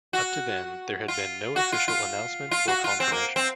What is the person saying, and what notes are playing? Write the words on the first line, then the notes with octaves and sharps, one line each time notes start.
Up to then there had been no official announcement or confirmation.
F#4
F4
F#4
F4
F4
F4
F#4
F4
C4
A#3
C4